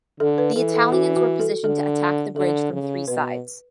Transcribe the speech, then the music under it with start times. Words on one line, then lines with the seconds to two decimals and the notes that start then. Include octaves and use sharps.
The Italians were positioned to attack the bridge from three sides.
0.20 D3 A4
0.38 B4
0.56 E3 A4
0.74 A4
0.92 F#4
1.16 F#4
1.40 A4
1.64 D3 A4
2.35 D3 A4
2.72 C#3
3.08 B2 B4